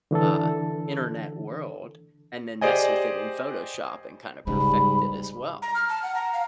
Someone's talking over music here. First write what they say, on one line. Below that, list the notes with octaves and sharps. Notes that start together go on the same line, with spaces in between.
uh, internet world and then mess with it in Photoshop and kinda perfect it as well.
D3 E3 D4 A4
G4 G#4 C5 D5 D#5 G#5
G#2 C#3 G3 B5
A#5
F6
A5
F#5
A#5
F5